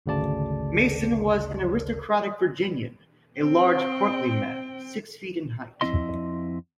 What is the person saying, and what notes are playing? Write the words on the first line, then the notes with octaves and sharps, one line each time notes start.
Mason was an aristocratic Virginian, a large portly man, six feet in height.
G#1 D2 C#3 D5 A5
C4 G5
F2 A3 C4 E4 D#5 C6